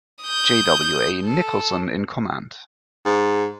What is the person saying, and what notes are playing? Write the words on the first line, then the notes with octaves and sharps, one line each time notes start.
J. W. A. Nicholson in command.
D#6 G6
A4
G#2